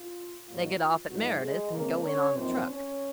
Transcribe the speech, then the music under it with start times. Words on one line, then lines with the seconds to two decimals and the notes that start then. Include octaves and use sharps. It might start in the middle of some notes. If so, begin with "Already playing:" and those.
They get off at Meredith and go in on the truck.
Already playing: F4
0.46 G#2 F#3 A#3 F4
1.09 G#2 F3 F#3 G#3 D#4 F#4
1.41 G#3 G#4
1.72 C#3 G#3 A#3 C4 A#4
2.04 C#4 C#5
2.35 F#2 F3 A#3 C4 D#4 C5
2.67 C#4 C#5